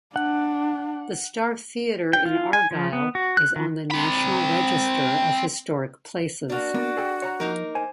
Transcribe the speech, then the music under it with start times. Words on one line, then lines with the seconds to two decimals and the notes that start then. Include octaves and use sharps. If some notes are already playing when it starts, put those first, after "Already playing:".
The Star Theatre in Argyle is on the National Register of Historic Places.
0.16 D4 F#5
2.13 G5
2.26 F4
2.53 G#5
2.71 F3
2.93 B3
3.15 F#4
3.37 F#6
3.56 D#3
3.91 C4 B5
6.50 A#3 D4 F#4
6.74 A#3 B3 D4 A#4
6.97 G#4 A4 G5
7.22 C#5 F#5 A#5
7.40 F3 A#3 D#4 A#4
7.75 C5 G#5